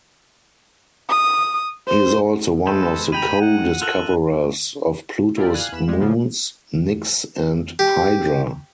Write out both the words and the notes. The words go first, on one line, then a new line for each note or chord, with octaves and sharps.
He is also one of the co-discoverers of Pluto's moons, Nix and Hydra.
D#6
C5
G#3 A4 B4 C5
G#3 G5 A#5 B5 D#7
F#5
F4 A4 A#4 F#6 F#7
E4 F4 G4 A#4 D5
F5 G#5 F#6
E2 B5 E7
G3 G#3
A#2 C#3 F3
G4